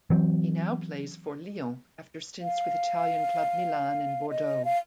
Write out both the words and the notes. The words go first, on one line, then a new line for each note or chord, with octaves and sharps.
He now plays for Lyon after stints with Italian club Milan and Bordeaux.
E3 F#3 C4
F5
D#5
F5